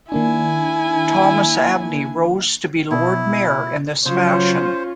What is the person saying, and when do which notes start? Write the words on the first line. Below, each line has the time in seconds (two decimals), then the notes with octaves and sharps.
Thomas Abney rose to be Lord Mayor in this fashion.
0.12 D#3 A#3 D4 E4 G#5
2.91 B2 E4
4.05 C#3 F#3 C#4 F4 C5